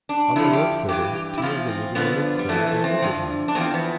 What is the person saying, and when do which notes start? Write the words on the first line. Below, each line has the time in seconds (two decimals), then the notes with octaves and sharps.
On the road thither, two of the liberated slaves deserted him.
0.09 D4
0.36 F2 D3 F3 E4
0.53 G4
0.89 G2 E3 G4
1.15 G4
1.37 E4
1.42 E2 D3 F3 F4
1.69 C4
1.95 G2 D3 F3 B3
2.39 G3
2.49 F2 E3 A3
2.67 A3
2.84 C4
3.02 G2 D3 F3
3.48 D4
3.55 E2 D3 C4
3.60 F3
3.74 B3